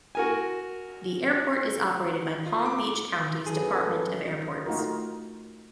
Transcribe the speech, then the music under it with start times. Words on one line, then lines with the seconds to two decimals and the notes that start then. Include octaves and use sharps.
The airport is operated by Palm Beach County's Department of Airports.
0.15 F#4 A#4 G#5
2.46 F4
2.66 D6
3.46 F#2 G#4 A4 B4
4.66 A3 D#4 F4 F#4 A#4